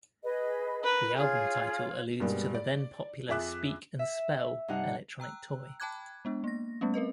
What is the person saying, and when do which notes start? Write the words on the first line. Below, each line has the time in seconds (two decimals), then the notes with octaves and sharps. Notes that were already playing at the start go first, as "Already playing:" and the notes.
The album title alludes to the then-popular "Speak and Spell" electronic toy.
0.24 G#4 B4 D#5
0.84 A#4 B4
1.17 F4 G#4 C#5
2.20 G2 B2 G3 G#3 A#3 B3
2.54 D5
3.29 F2 G#4 E5 D6 F#6
3.99 E5
4.68 G2 C3 D#4 F#5
5.20 G5 A#5 E6 F#6
5.80 G5 A5 B5 D6 F#6 G#6
6.25 G#3 B3 D4
6.44 A#3 A#6
6.81 G3 A3 B3 C#4
6.94 C4 A#4 B4 D#5